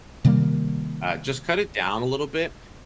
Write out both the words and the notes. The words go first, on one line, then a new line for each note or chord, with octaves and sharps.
Uh, just cut it down a little bit,
C3 D#3 G3 A#3